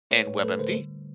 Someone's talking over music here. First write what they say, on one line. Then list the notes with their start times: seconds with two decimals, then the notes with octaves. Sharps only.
and WebMD?
0.11 A3 B4 C#5
0.27 A2
0.43 A3 A4 B4
0.59 D3 A#4 C5
0.75 G3